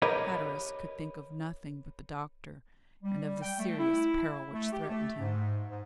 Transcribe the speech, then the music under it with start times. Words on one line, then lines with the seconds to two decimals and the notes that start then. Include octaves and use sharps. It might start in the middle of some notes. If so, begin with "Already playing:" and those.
Hatteras could think of nothing but the Doctor, and of the serious peril which threatened him.
0.02 G4 A#4 B4 C#5 D#5
3.03 G3
3.41 G5
3.59 A3
3.78 E4
4.53 A3
4.72 G4
4.88 A3
5.18 G#2
5.70 G#2